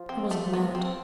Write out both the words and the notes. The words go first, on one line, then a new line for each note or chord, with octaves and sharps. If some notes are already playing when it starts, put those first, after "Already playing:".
"I wasn't mad."
Already playing: F3
C4
A3
B3
C4